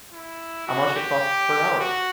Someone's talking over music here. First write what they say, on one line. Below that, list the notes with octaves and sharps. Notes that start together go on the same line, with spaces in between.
How much it costs per hour?
E4
F#4
G4
F#4